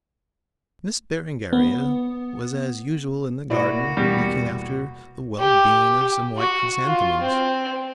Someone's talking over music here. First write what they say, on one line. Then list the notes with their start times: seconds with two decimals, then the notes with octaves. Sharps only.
Miss Berengaria was as usual in the garden looking after the well-being of some white chrysanthemums.
1.53 B3
3.50 B2 A#3 E4 F#4 D5
3.97 E2 B2 G3
5.39 G4
6.37 F#4
6.85 F4
7.21 C4